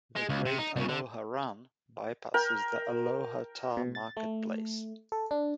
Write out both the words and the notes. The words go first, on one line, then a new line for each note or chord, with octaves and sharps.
The Great Aloha Run bypasses the Aloha Tower Marketplace.
G#3
C#2
C3
D#4
C2 C#3
D3
A#4 G5
B2
A6
A3
A4
D4